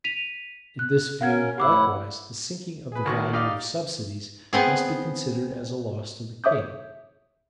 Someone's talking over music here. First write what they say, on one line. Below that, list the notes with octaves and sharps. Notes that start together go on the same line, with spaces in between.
In this view, likewise, the sinking of the value of subsidies must be considered as a loss to the king.
B6 D#7 F7
F#6
C#4 A#4 F5 F#5 G#6
A2 E4 G4 F#5 D6 E6
G#4 B4
B1 D#3 F#3 C#6
D#4 G4 D5 F5
B3 C4 G#4
C#5 E5 D6 D#6 G6